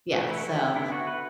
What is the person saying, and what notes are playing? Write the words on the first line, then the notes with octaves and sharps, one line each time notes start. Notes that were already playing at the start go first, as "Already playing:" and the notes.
Yeah, so
E3 A3
E4
F#4
E4
D3 B3 E4
F#4
B4